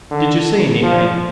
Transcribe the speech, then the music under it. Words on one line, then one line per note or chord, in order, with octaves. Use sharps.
'Did you see anything?'
D3
F3